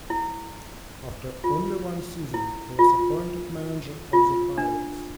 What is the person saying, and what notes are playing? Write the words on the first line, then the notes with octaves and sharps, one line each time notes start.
After only one season, he was appointed manager of the Pirates.
E4
F4
E4
F4
F4
D4